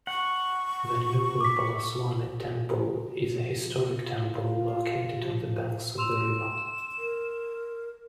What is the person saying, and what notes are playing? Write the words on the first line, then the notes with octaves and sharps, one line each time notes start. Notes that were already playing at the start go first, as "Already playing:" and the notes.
Venugopalaswami Temple is a historic temple located on the banks of the river.
F#5 C#6
D6 B6
F3
F4
F3
C6 E6 E7 F7
A#4